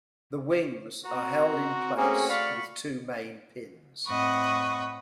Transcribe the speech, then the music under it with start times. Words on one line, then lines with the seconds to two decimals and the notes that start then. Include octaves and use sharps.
The wings are held in place with two main pins.
1.05 C4 F#4 A#5
1.97 A3 A#3 C4 C#4 F#4 G#4
2.29 D5 F5 B5 C#6
4.06 A2 C4 D#5 F#5 B5 C#6